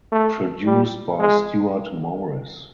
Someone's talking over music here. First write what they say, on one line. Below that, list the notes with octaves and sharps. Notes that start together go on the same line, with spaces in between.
Produced by Stewart Morris.
A3
G3
G#3